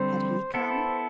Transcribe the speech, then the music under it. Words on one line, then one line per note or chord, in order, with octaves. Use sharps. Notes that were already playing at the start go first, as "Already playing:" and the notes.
Had he come?
Already playing: D3 G3 C4 C5
B3 E4 A4 C5